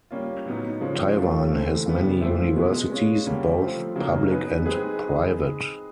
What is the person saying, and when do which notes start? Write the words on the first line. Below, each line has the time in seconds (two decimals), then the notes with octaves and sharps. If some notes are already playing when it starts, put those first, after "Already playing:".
Taiwan has many universities, both public and private.
0.11 G3 A#3 C#4 F4
0.45 A2 F#3 B3 D#4
0.81 C#3 F3 G#3 C#4
1.15 A3 C#4 F4
1.51 E3 A3 C4
1.86 C#3 E3 G3 B3
2.21 A#2 F3 A3 C4 E4
2.56 B2 G#3 B3
2.90 G#3 C#4 F4
3.26 D3 G3 A#3 C#4
3.61 F3 A3 C4
3.96 C#3 F#3 A#3 D#4
4.30 F#3 B3 D#4 G#4 B4
4.66 G#3 C4 D#4 G#4 B4